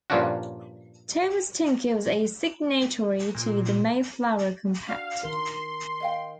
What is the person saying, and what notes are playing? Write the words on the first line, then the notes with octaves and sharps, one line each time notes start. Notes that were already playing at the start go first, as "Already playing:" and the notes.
Thomas Tinker was a signatory to the Mayflower Compact.
G2 A#2 F3 C#4 D4 F#4
A#2
D4 F#4 F5
D#3 A#4 C6
D#5 F5 G5